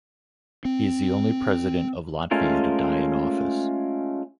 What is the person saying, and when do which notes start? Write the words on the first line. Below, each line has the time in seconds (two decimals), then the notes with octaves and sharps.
He is the only President of Latvia to die in office.
0.65 C4
2.31 G#3 A3 C#4 F4 A#4